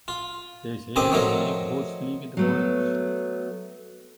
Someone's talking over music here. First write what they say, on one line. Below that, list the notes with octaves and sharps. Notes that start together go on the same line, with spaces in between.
They say that many ghosts live in the college.
F4
A1 D#3 C4 D#4 D6 D#6
F3 F#3 A3 D#4 A#4
F#3 A3 B3